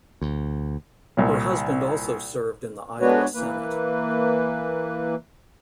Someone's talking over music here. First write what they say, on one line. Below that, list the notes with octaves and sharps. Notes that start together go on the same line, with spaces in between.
Her husband also served in the Iowa Senate.
D2
C2 A#2
G#3 B3 D4 F#4 B4 C#5
E3 A#3 B4